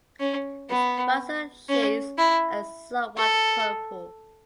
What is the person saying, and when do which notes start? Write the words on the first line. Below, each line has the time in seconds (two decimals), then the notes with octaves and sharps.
Its basal sheaths are somewhat purple.
0.20 C#4
0.70 B3
1.69 C#4
2.18 E4
3.17 A4